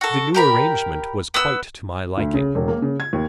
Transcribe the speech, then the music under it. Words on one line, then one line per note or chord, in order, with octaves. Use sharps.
The new arrangement was quite to my liking.
F#4 A4
G4 A#4 B5
B3 E6
D2
C#3
E1
A#3
C#3
G#6
D#2